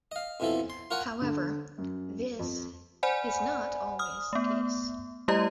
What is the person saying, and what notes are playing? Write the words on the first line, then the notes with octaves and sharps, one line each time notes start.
However, this is not always the case.
D#5 F5
F2 B2 E3 F3 A4
C6
F4 A#4 C#5 F#5 G#5
D3
F#2
F2
C5 D5 F#5 G#5 B5
D#6 F6
A3 B3
G3 A3 E4 G4 D#5 A#5